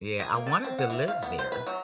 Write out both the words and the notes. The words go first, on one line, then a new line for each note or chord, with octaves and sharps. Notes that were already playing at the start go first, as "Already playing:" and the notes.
Yeah, I wanted to live there,
G#4
A#3
A5
C4
F#5
E3
F5
B3
C5
B4
F#3